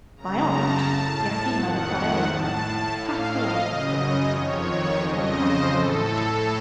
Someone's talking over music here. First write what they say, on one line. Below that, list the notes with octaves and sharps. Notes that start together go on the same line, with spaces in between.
My aunt, Yefimya Nikolaevna, passed away yesterday evening at eleven o'clock in the night.
F#2 C#3 A#5
A5
A2 A5
F2 D#3 F#5
F#5
A2 A5
A2 F5
D#5
F#2 C#3 D#5
F2 D#3 C#5
F2 C#3 D#5
C5
A2 A4